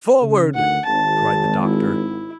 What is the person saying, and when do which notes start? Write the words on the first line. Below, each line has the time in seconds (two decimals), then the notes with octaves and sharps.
"Forward!" cried the doctor.
0.21 C#3
0.55 D2 D#3 F#5
0.85 G#1 A5
1.63 E4